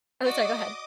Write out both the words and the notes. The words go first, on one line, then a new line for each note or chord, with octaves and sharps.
Oh, sorry, go ahead.
F#4 D5 D#5 D6 D#6